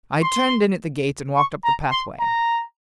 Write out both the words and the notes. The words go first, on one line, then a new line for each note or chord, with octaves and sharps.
I turned in at the gate, and walked up the pathway.
C6
C#6
A#5
C6
A#5